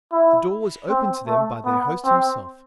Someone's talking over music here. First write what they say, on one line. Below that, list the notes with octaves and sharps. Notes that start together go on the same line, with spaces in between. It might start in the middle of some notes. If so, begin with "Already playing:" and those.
The door was opened to them by their host himself.
E4
C4
A3
B3
C4